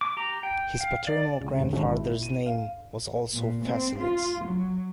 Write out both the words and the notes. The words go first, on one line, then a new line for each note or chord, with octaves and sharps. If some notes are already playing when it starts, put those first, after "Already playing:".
His paternal grandfather's name was also Fasilides.
D6
G4 A#5
G5
F5
D5
C#2
D#2
G#1
E4
D#7
F5
A#2
C4
F4
F#3